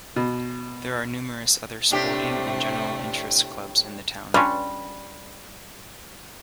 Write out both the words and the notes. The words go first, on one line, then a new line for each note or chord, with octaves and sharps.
There are numerous other sporting and general interest clubs in the town.
B2
A2 C3 A3 C4 D4 G4
G3 C#4 D4 F4 B4